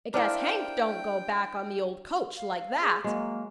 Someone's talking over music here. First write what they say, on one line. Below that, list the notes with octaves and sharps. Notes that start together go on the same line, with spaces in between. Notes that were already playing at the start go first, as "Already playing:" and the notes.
I guess Hank don't go back on the old coach like that.
D4 E4 A#4 C5 F5 G5
F5
G#4
F#3 G#3 A#3